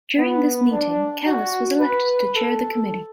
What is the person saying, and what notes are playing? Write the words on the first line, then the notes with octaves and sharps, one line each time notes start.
During this meeting Kalas was elected to chair the committee.
B3
D4
F#4
B4
A4